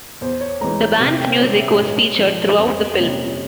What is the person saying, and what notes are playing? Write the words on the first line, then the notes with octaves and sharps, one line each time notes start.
The band's music was featured throughout the film.
E2 C5
C#5
E3 G#3 A#5
G6
C3 F6
G5
C5
G3 C#4 C#5
E5
G#2 C#5
F3 G#3
F2 C5
C3 G3 A#3 C#4 C#5